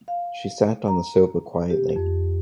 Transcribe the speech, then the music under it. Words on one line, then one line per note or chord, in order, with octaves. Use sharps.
She sat on the sofa quietly.
F5
A#5
G4
F2